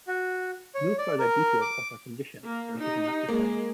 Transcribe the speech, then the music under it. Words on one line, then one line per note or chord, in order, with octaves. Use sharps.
No further details of her condition were given at the time.
F#4
C#5
D5
A#4
D6
A#3
D#4 G4
G#3 A#3 G#4